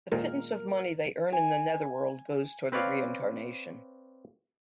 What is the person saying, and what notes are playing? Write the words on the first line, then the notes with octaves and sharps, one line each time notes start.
The pittance of money they earn in the Netherworld goes towards their reincarnation.
A#2 D#3 G#3 A#4
G#5
C4 B4 C#5 D5 F5